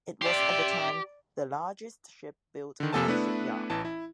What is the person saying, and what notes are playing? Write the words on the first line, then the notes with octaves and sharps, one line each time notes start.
It was at the time the largest ship built by the shipyard.
G4 D5 E5 C6
D3 D#3
F2 C3 A#3 A4 G#5 A5
A3 B3 D4 E4 B4
A1 E3 A5
E4